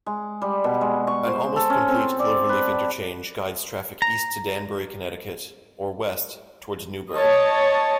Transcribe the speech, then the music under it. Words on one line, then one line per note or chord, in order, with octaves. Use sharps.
An almost-complete cloverleaf interchange guides traffic east to Danbury, Connecticut or west towards Newburgh.
G#3
G3
B2
G#3
C#6
C5
A4
C#4
C4
D5
B4
G5
A#5
C#5 D#5 A5